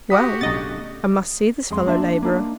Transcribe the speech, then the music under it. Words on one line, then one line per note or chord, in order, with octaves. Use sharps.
Well, I must see this fellow-laborer.
F#4 G4 F#5 D#6 B6
B1 A2 C#3 D4 D#5 A6
F2 G#3 C6
A#3 D4 E5
A#3 D4 D#4